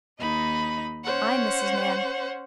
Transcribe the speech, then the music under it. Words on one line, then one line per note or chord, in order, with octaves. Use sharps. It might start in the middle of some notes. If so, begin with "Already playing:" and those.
'I, Mrs. Mann.
D#2 D#4 D#5 B5
C#4 C5 C#5 F#5